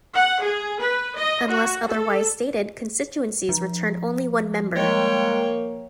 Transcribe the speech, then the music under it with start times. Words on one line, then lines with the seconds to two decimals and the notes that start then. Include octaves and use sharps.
Unless otherwise stated, constituencies returned only one member.
0.14 F#5
0.43 G#4
0.81 B4
1.17 D#5
1.49 F#4
1.87 A4
3.49 F3
4.75 D#3 G3 G#3 A#3 C#5 G5